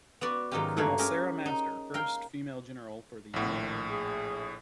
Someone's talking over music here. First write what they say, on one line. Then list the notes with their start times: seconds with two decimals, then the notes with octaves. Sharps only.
Colonel Sarah Master - First female general for the union.
0.21 B3 F#4 D5
0.51 G#2 D#3 F#3 D#4 F4 G4
0.77 G2 A3 A#3 F#4 C#5
0.98 C#4 G4 G#4 A#4
1.46 D#4
1.94 A#4 F5 G5
3.34 A#1 A2 B3
3.50 D#3
3.88 G#4